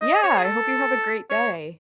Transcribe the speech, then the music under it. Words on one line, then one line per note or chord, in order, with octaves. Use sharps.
Yeah, I hope you have a great day.
D#5
C#5
G#4
A4
C#5